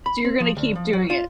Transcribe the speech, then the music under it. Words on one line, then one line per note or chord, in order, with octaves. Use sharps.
So, you're gonna keep doing it.
B5
C4
F3
D2
F3
F#3
F4